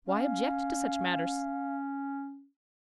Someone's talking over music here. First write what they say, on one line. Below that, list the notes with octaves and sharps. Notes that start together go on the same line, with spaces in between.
Why object to such manners?
C#4 F5